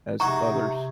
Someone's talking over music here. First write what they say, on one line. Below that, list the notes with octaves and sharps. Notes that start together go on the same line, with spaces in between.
as others,
C3 D#4 F#4 G#4 A#5 C#6